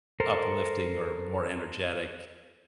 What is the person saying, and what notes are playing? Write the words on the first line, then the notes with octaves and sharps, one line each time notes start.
uplifting or more energetic.
A4 A#4 C5